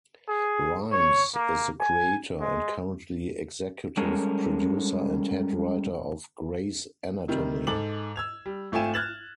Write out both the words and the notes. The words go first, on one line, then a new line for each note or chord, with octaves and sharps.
Rhimes is the creator and currently executive producer and head writer of "Grey's Anatomy".
G#4
C#5
A#3
G#5
G#3
G3 G#3 C#4 A4 A#4
C3 D#3 G3
G#2 A4 D6 F#7
E6 G#6 F7
G3
G#1 A3 F4 G5 G#5 E7
F6 F#6 G#6 A6 E7 F#7